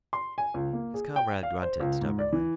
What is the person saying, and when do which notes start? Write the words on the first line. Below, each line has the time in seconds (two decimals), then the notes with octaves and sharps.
His comrade grunted stubbornly.
0.13 C6
0.38 G#5
0.54 C#2
0.73 A#3
0.94 G#4
1.16 G5
1.43 F5
1.62 C5
1.80 C#2
2.01 G#2
2.19 D5
2.32 E3